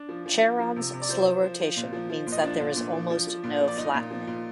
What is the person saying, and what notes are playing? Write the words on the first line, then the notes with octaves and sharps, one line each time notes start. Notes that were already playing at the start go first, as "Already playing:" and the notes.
Charon's slow rotation means that there is almost no flattening.
Already playing: D4
F3
F3
F3
F3
C3
C3
D5
F3 C5
F3
F3
F3
A#2
F3
F3
A#2
D#5
F3 D4 D5
A#2
A#2
F3
F3
F3
A#2
F3
D5
A#2 D#4 D#5
A#2
F3
A#2